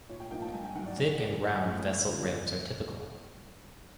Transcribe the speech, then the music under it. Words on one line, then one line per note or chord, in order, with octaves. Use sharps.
Thick and round vessel rims are typical.
A#2 C#5
G5
F3 A#3 D#4 G5
A5
G2 G#5
G5
D#3 F#3 F#5
D5
D3 C#5
F3 G#3 D5
G#2
F3 A3 C#4
G2 C#5
D3 F3 A#3 C#4
D5